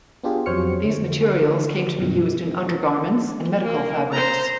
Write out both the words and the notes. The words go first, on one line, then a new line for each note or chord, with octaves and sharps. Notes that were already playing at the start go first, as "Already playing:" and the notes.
These materials came to be used in undergarments and medical fabrics.
B3 D4 F4 G4 G#4
F2 F#3 C5 C#5 F6 C#7
D3
F#2 B2 G3
A#3
C5 A#5